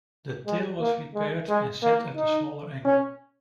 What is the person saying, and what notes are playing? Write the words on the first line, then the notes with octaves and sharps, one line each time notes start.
The tail was repaired and set at a smaller angle.
G#3
A#3
G#3
G#3
A#3
D#4
C#4